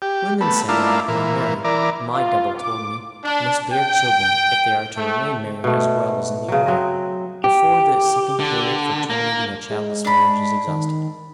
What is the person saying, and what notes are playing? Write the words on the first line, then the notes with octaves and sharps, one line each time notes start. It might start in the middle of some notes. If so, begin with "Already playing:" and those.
Women samurai who are married, my double told me, must bear children--if they are to remain married as well as in the order--before the second period for terminating a childless marriage is exhausted.
G4
A3 B3
A3 A#3 D4 E4 F4
A#2 E3
E3 A#4 D5
F4
D6
D4
G5
A3
B2 A3
C#3 F#3
F#3 C4 D#5
G4
D3
A#3
G#3
D4 B5
D#3